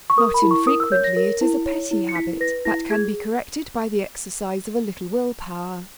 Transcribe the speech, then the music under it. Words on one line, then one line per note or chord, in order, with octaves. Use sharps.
Not infrequently it is a petty habit that can be corrected by the exercise of a little will power.
C#6
A#4 D#6
B5
E4
C#6
A#4 D#6
E6
C#5 G6
A#6
A#4
E4
C#5
E4
C#7
E4 B6
B4 A#6
E4 A#6
G#4 G#6